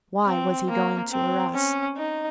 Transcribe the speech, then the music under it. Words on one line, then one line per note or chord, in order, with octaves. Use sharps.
Why was he going to Arras?
C4
A#3
C4
C#4
D#4